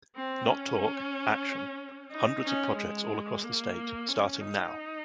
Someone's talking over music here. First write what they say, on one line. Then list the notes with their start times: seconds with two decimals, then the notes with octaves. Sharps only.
Not talk, action. Hundreds of projects all across the state, starting now.
0.16 C4
0.48 C#4
2.12 D#4
2.45 C#4
2.78 G#3
3.43 A#3
4.09 C#4
4.41 D#4